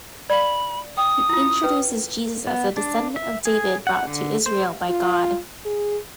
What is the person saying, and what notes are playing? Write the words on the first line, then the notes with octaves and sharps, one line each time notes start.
He introduces Jesus as a descendant of David brought to Israel by God.
D5 F5 B5
G5 D#6
E4 F4
C#4 B4
B3
D4
E5
G#4
F#5
D3
C5
F4
G#4